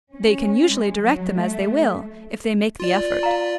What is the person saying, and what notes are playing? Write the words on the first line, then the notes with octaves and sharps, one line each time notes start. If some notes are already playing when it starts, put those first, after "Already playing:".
"They can usually direct them as they will, if they make the effort."
C#4
G#3
F#3
A3
F4 D5
F5 A#5